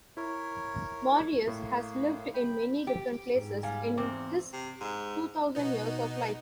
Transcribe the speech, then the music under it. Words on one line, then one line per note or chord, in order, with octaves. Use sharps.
Marius has lived in many different places in his two thousand years of life.
E4 A#4 C#5
A2 A#3
G5 B5
G4
G#2
G3 F5 G#5
E2 C4 D6
C3
G#2
B2 B3 D#4